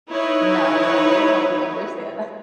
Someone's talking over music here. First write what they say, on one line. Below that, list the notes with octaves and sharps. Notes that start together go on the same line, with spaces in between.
No, yes, I totally understand that.
D#4 E4 B4 C#5